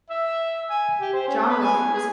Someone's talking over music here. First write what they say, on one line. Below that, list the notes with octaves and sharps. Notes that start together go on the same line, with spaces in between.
John Wickens.
E5
G#5
G4
C5
C#4
B4
G#5
G#4